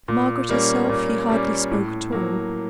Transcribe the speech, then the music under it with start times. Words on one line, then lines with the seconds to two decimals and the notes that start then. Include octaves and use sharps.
To Margaret herself he hardly spoke at all.
0.08 A#2
0.49 G3 A#3 C#4
0.89 A#2
1.30 G3 A#3 C#4
1.71 A2
2.12 F#3 A#3